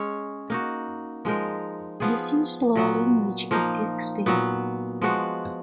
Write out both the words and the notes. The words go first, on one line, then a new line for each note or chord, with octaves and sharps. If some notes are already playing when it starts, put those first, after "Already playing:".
The Siuslaw language is extinct.
Already playing: G#3 C#4 G#4 C#5
A#3 D#4 F#4
F3 G#3 D#4 A#4
F3 B3 F4 G#4
A#2 F#3 B3
F3 A#3 D#4
A#2 F#3 B3
F3 G#3 B3 F#4